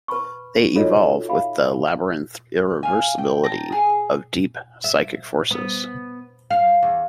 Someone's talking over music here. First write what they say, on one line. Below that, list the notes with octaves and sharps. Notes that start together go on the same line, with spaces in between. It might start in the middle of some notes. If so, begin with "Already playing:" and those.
They evolve...with the labyrinthine irreversibility of deep psychic forces.
B4 A5 B5 C#6
D#4 F4 F#4 A4 C#5 D#5
E5 F5 B5
F5 G#5
G5
G5 A5 A#5
G#4
E5
B3
F5
E2